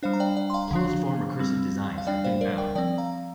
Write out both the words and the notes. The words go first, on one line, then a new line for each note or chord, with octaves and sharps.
Closed-form recursive designs have been found.
G3 D4 C5 F5
A#5
D5 G5
D5 G5
C6
F5 A#5
D3 F3 D4
G3 C4
F5
G3 D4 D5 G5
C5 F5
A#4 D5
D5 G5
F3 C4 D5 G5
F5 A#5